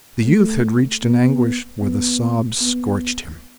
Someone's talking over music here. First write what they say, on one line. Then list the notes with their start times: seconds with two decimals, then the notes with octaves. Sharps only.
The youth had reached an anguish where the sobs scorched him.
0.24 A3
1.03 B3
1.82 B3
2.61 B3